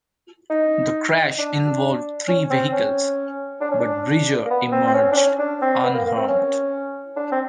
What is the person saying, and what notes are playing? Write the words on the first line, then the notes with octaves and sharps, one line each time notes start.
The crash involved three vehicles, but Bridger emerged unharmed.
D#4
D4
C#4
C4
C#4
D4
C#4
D4
A#3
B3
C4
C4
C#4
D4
C#4
D4
C4
B3
A#3
A#3
C4
C#4
D4
C4